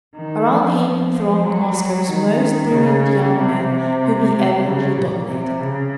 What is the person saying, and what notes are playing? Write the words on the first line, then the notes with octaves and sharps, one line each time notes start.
Around him thronged Moscow's most brilliant young men, whom he evidently dominated.
D#3
F3
F3
F3
F#3
D#3
C#3
C3
C3
C#3
A#2
C3
C#3